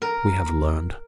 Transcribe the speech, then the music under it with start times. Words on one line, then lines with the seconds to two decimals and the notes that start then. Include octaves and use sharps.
We have learned.
0.02 A#4